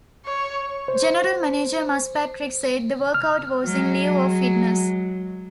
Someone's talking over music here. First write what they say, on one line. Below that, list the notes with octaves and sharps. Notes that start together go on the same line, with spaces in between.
General manager Muzz Patrick said the workout was in lieu of fines.
C#5
C5
F6
F#3 G#3